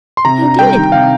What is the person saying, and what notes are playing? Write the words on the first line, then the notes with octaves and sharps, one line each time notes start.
"He did."
C6
C3 A#5
D4
G3 G5
D#3
C3 F5